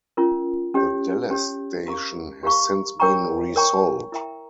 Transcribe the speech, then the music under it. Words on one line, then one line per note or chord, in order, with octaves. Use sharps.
The Dallas station has since been resold.
C#4 F4 A#4
C#4 G4 C#5
C#4 G4 C#5
G4 A#4 F5 A#5 C#6
G4 A#4 F5 A#5 C#6
A#4 C#5 G5 A#5 C#6
A#4 C#5 G5 A#5 C#6
E4 A#4 E5 G5 A#5